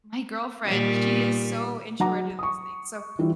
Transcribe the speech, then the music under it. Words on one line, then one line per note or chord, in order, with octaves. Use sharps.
my girlfriend, she is so introverted to these things, so,
A#2 D#3 G3
F#3 F#5 A#5 D6
C#6 D#6
E3 G3 E4 F4 G4